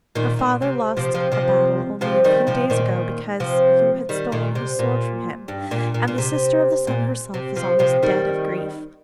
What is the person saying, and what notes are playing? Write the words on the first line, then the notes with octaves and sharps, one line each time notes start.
Her father lost a battle only a few days ago because you had stolen his sword from him, and the Sister of the Sun herself is almost dead of grief.
A#2 D#3
A#2
C3
C3 F3
C3 F3
C3 F3
C3 F3
D#3 G3
C3 F3
A#2 D#3
C3 F3
D#3 G3
A#2 D#3
C3
A#2
G2
A#2
A#2
A#2
C3
A#2
C3
C3 F3
C3 F3
D#3 G3